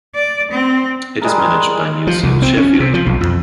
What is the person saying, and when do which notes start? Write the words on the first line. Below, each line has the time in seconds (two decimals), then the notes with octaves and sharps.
It is managed by Museums Sheffield.
0.15 D5
0.51 C4
1.22 G3 G#3 G#4 A#4
2.07 F3
2.23 C2
2.42 C4
2.57 C#4
2.80 C3
2.94 F3
3.06 B1
3.21 F2